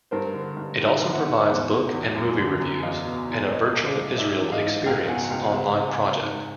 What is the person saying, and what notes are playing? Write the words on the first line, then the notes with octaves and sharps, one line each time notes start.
It also provides book and movie reviews and a "Virtual Israel Experience" online project.
G2 A#4 C5
D3
G2
D#2
D3
E5 F#5
D#2
E2
B2
E2
F#2
D3
F#2
E2 D#5 F5
B2
E2
C2 C#5 D#5
A#2
C5 D5
C2
G#2 D5 E5
E3
D#5 F5
G#2
C#2 F5 G5
B2 F#5 G#5
C#2 F5 G5
C#2 E5 F#5
C3
F#5 G#5
C#2
G#2